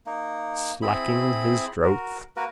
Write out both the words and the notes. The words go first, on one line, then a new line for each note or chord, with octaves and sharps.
Slaking his drouth.
A#3 D#4
C4 E4 G#4 B5
F#4 A#4
A#3 F#4 A#4 B4